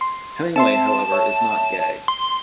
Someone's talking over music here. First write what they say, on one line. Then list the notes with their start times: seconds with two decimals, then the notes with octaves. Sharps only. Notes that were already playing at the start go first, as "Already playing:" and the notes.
Hemingway, however, is not gay.
0.01 C6
0.56 C4 E5 A5 C6
1.12 C#5 E5
2.08 C6